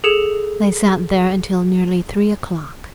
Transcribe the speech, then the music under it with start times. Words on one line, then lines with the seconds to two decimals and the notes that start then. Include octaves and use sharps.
They sat there until nearly three o'clock.
0.04 G#4 A4 C#7 E7